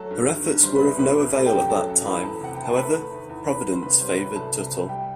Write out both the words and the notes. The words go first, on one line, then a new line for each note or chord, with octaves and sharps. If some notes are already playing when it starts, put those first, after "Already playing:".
Her efforts were of no avail at that time; however, providence favored Tuttle.
Already playing: F#3 A3 A4 A5
G2
D#3
G2
G3 C5 C6
B4 B5
C2
B2 B4 B5
C2
B5
A3 A4 A5
G4 G5
F#2
G4 G5
F#3 A4 A5
F#2
E3 B4 B5
E2 A4 A5
C3 F#5
E2 G5
A5
A3 B4 B5
E2
D#3
E2
D#3 B4 B5
E2
C6
C3 B4 B5
G3 C5 C6
F#3 B4 B5
C2 A4 A5
C3
C2
G3 G4 G5